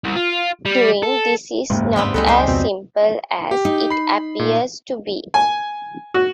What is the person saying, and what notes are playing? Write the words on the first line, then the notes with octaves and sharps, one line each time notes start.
Doing this is not as simple as it appears to be.
C2
F4
G3
A4
F#1 D#2 G#2 G#3
G2 G3 B3 C4
C#2 C#3 G#3 D#4 A4 B4
G3 G4 C5
F2 B2 C4
G4
D#4
B5 C7
A#2
G#5
F#4